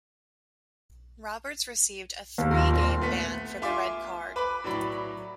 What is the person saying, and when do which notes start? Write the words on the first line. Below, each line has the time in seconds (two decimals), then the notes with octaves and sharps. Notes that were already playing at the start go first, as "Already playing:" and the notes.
Roberts received a three-game ban for the red card.
2.38 D#2
2.51 A#3 F4 A#4
2.69 A#2 C4
3.01 A3 B3 B6
3.62 F4 E5 G#5 C6 D6
4.36 B4 B5 D6
4.64 A2 F#3 D5 B5